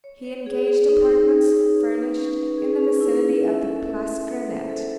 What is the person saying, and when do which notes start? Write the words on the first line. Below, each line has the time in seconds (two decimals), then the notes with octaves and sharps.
He engaged apartments, furnished, in the vicinity of the Place Grenette.
0.04 C#5
0.25 C#5
0.46 G#4
0.68 G#4
0.89 D#4
1.10 D#4
1.31 C#5
1.52 D#4
1.73 B4
1.95 B4
2.16 C#4
2.37 B4
2.58 G#4
2.79 C#4
3.01 E4
3.22 C#4
3.43 E5
3.64 A4
3.85 E5
4.07 E5
4.27 E5
4.49 C5
4.70 A4